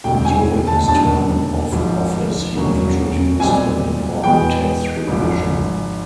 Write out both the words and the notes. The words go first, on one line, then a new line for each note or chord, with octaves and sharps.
During his term of office he introduced an important tax revision.
E1 D2 C3 G5
G#5
A5
E1 D#2 D3 A5
G#1 G#2 F3
E1 D2 C#3 F#3 A#3
B1 A#2 G3 C4 G#5
E1 E2 B2 G#3 B3 G5
G#1 G#2 F3